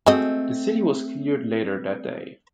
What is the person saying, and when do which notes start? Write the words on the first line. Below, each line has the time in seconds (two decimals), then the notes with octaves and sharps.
The city was cleared later that day.
0.06 G#3 A3 C4 F#4 D#5